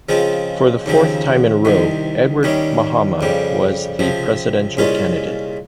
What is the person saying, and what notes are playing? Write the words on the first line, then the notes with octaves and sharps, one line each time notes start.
For the fourth time in a row, Edward Mahama was the presidential candidate.
C#3 F3 G#3 C4 F4
D#2 C#3 F3 C4
C2 C3 D#3
D#2 D#3 G3 C#4
F2 C#3 G3
C#2 C3 F3
C2 A#2 G#3 C#4 F4